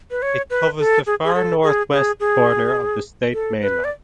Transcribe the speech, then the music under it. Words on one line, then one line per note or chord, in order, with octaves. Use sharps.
It covers the far north-west corner of the state mainland.
B4
C#5
B4
A4
G#4
G#4
A4
G#4
G#4
G#4
A4
B4
D5